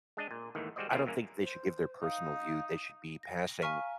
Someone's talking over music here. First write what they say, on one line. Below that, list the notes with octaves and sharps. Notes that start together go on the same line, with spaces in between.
I don't think they should give their personal view, they should be passing
G#3 D4 D#5
A#2
D#2 G#2 D#3 E3 A3
G3 G#3 F#4 C5 D5 D#5
G3 A#3 B3 E4 F4 G#4
G#1 F#2 F#3 A#3 C#4
C5
D#4 F5
A#6
F5 G#5 A#5 C#6 F6 B6